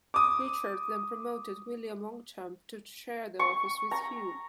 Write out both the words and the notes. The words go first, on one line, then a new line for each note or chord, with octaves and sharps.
Richard then promoted William Longchamp to share the office with Hugh.
D6 D#6
C#6
A#5